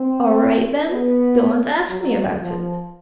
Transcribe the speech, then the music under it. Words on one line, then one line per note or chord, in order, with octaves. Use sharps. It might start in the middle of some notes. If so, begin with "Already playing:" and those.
"All right, then; don't ask me about it."
Already playing: C4
B3
F#3
F3